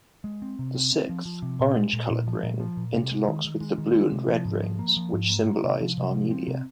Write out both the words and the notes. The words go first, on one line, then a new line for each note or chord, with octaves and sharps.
The sixth, orange-colored ring, interlocks with the blue and red rings, which symbolize Armenia.
G#3
C4
C3
C4
C4
F3
F3
C3
A#2
G#3
A#2
A#2
F3
A#2
F3
A#2
C3
G#3
D#3
D#3
G#3
D#3
G#3
C3
F3
G#2
F3
A#3
F3
G#2
A#3
A#3
C3
F3
C3
F3
C4
C3